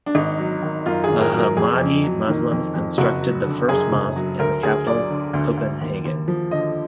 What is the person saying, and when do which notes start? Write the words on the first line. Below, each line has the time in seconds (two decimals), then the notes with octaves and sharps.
Ahmadi Muslims constructed the first mosque in the capital, Copenhagen.
0.06 D4
0.15 G#1 D#4
0.38 F#3
0.62 D#3
0.86 F#2 F4
1.04 G#1 G#4
1.21 A#4
1.33 F#3
1.38 A#4
1.56 F2 G#4
1.81 F2
2.04 F#3
2.28 D#3
2.51 F2
2.75 F2
2.98 F#1 F#4
3.21 F#3
3.45 D3
3.68 F#2 G#4
3.92 F#1
4.16 F#3
4.39 D2 A#4
4.63 D2 G#4
4.87 F#3 D5
5.10 D3
5.33 D2
5.57 D2
5.81 D#2
6.05 D#2
6.28 F3
6.51 D3 D#5